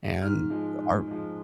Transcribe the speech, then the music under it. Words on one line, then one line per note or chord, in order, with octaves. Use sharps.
and our
G#2 F6
F3 G#3
G#2
F3 G#3